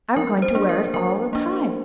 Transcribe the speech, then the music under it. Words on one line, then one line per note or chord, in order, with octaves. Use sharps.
"I'm going to wear it all the time."
F3 A#4
C5
A#3 D4
A#4
F3 A#4
A#3 D4